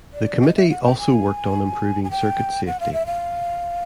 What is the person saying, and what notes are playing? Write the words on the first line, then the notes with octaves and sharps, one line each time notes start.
The committee also worked on improving circuit safety.
D5
D#5
E5
F#5
G5
G#5
G#5
G5
F#5
F5
E5
F5